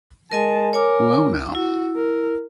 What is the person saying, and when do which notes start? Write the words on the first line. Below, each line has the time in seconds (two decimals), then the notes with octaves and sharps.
Well Now.
0.32 G#3 A#4 D#5 G#5 A5
0.73 A#4 C#5 G#5 D6
1.55 E4 F#4
1.96 A#4